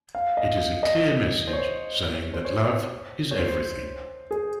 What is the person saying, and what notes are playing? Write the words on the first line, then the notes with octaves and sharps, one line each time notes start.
It is a clear message saying that love is everything.
F5
D#5
D#5
C5
C#5
C5
C#5
C#5
C5
G#4